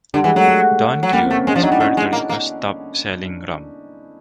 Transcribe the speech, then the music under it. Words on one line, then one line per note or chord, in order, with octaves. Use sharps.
Don Q is Puerto Rico's top-selling rum.
D3 G3
E3 G#3
F#3 A3
A3
F#3
G3 A#3
C4
A3
C#4
G#3 C#4
F3 D4
F#3 D#4
G3 E4
A3 C#4
G#3
A#3
A#3